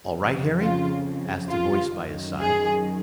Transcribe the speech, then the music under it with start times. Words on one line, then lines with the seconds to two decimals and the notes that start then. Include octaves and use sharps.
"All right, Harry?" asked a voice by his side.
0.14 F2 C#3 F3
0.59 F4
1.49 F4
1.94 F#2 D#3 F#3
2.39 G#4